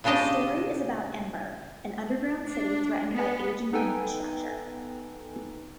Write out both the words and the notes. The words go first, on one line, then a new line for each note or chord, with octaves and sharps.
The story is about Ember, an underground city threatened by aging infrastructure.
A#2 C#3 D4 G4 D#5 A5
D4
B3
B3 D#4 A4 B4 G5 G#5